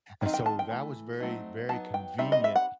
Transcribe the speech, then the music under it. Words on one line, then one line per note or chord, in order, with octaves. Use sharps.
and so, that was very, very convenient,
D#3 F#3 C4 D#4
G5
A5
G5
E3 A3
F#3 A3 C4 D#4
F#3 B3 D#4 A5
G5
G3 C4 D#4 E5
D#5
E5
F#5